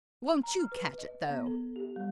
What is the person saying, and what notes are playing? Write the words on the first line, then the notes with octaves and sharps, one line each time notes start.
"Won't you catch it though!"
A#5
F6
B4
D#5
B3
A4
G4
G3